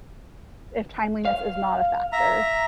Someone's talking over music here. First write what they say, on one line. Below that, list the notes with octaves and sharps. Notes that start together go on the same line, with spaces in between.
if timeliness is not a factor
F5
E5 A#5